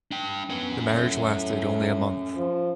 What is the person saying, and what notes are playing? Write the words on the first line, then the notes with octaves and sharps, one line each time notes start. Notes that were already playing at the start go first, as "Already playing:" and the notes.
The marriage lasted only a month.
D4 G5
B3 C#4 A#4
A2
F3